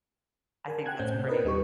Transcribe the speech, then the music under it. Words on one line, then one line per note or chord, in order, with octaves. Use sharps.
I think that's pretty.
A#4 G#5 A5
F#5 G5 F#6 G#6
A2 C#4 C5 G6
C3
D4 D#4 A#4 B4 D#5
D#2 G3 D#4 G4 B4 C#6